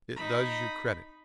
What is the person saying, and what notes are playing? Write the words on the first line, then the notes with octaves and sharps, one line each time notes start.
It does you credit.
D#4 B5